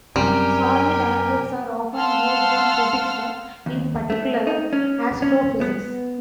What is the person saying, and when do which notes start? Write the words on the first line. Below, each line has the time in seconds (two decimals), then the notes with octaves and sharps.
Solid angles are often used in physics, in particular astrophysics.
0.16 F#2 C3 G3 G4 A#4 G5 G#5
1.95 F5 F#5 A5 C6 E6 F6
3.66 D#2
4.10 A3
4.47 D#4
4.73 C#4
5.22 C#4
5.61 B3